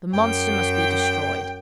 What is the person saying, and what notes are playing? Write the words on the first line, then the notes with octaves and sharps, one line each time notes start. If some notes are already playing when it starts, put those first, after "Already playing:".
"The monster must be destroyed."
F#2 G5